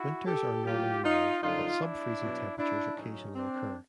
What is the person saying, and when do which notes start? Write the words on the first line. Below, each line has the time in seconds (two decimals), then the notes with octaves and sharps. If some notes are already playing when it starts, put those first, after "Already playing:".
Winters are normally mild but subfreezing temperatures occasionally occur.
Already playing: E4 F#4
0.26 G4 A4
0.65 A#2 F#3 F4 G4
1.04 D#4 F4
1.42 F#2 D3 F3 D#4 F4
1.81 D4 E4
2.19 B2 F#3
2.58 D4 E4
2.96 A2 F#3 C#4 D#4
3.35 C4 D4